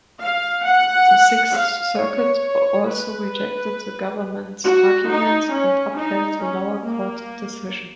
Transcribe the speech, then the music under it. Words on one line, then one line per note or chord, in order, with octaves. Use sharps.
The Sixth Circuit also rejected the Government's arguments and upheld the lower court decision.
F5
F#5
F5
C#5
B4
F#4
D#4
C#4
D#4
C#4
A#3